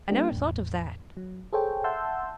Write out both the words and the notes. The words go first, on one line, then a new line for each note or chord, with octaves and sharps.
"I never thought of that."
G3 A#3 D4 G4
E2 A2
F#3
G#4 A4 C5 C#5 G5
E5 F#5 A5 C6 E6 G6